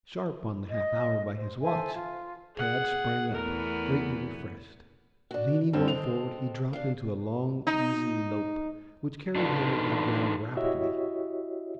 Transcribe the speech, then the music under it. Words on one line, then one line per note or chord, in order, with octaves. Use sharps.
Sharp on the half hour by his watch, Tad sprang up, greatly refreshed. Leaning well forward he dropped into a long, easy lope, which carried him over the ground rapidly.
D#5
C5
A4 C5 E5 G#5
F4
G#4 F#5
E2 A3 B3 A#4
D4 F#4
G2 C4 C#4
G#3 C4 A4 F7
D4 F5
D#4
D4 D#4 A4 B4 D5
E4 F#4 G4 C#5 D#5 E5